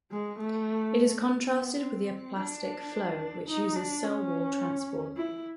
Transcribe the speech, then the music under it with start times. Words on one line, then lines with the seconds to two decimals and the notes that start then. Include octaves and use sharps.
It is contrasted with the apoplastic flow, which uses cell wall transport.
0.11 G#3
0.39 A3
1.51 B3
1.80 C4
2.36 D4
3.48 D#4
3.76 D4
4.04 C#4
5.17 E4